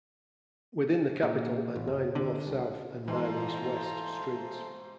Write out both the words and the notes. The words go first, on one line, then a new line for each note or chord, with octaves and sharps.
Within the capital are nine north-south and nine east-west streets.
A#2
A1
F#1
D3
C2
G#2 E3 A3 F4 C5 A#5